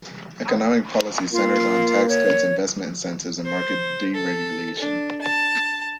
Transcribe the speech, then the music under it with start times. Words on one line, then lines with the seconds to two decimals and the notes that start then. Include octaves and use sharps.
Economic policy centered on tax cuts, investment incentives and market deregulation.
1.32 A#3 F4
2.09 C#5
3.45 C5
4.14 A4
4.79 D4
5.21 A5